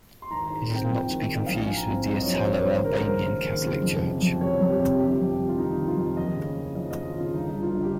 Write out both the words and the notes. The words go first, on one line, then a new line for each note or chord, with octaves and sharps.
It is not to be confused with the Italo-Albanian Catholic Church.
C6
G#1 A#5
A#5
G#2
C4
G5
F3
G#1
G#2
D#5
A#1 F5
G5
G#2 G#5
A#5
C4
G3 D#5
D#5
C#5
A#1
C5
G#2
C#5
D#2 C5
C#3 A#4
C5
D#2 A#4
G#3
D#2
C#3
F2
C3
F2
G3 C#5
F2
G4
C3
G1 G4
F2
G3
F4
D#3 D#4
G1
F4
F2
D#2 D#5
C#3
D#2
F3 D#5
D#5
D#2
F4
C#3 F4
G1 D#4
G2
F4
G1
G4